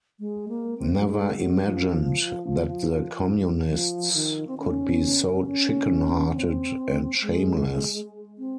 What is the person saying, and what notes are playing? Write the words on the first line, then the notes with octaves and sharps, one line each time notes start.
Never imagined that the Communists could be so chicken-hearted and shameless.
G#3
A#3
C4
F#3
G#3
F#3
F3
F3
D#3
C4
C#4
C#4
C4
G#3
C4